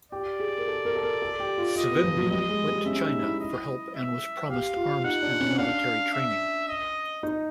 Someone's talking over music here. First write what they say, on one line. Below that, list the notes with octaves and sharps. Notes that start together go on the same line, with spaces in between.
Savimbi went to China for help and was promised arms and military training.
G4 D5
G#4
A#4
A4
A#4
A4
A#4
A4
G4
F4
F4 D#5
B3
F3
F#3
G3 D#5
G#3
G3
C#4 E5
D#4
E4
D#5
E5
G4 F5
F4
D#4 F#5
D4
C#4
D4 F5
E5
D#5
D#4